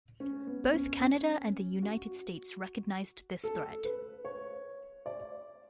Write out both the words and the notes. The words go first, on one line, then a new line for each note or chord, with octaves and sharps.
Both Canada and the United States recognized this threat.
C#4
B3
C#4
C#4
F#4
A4
B4
C#5
D5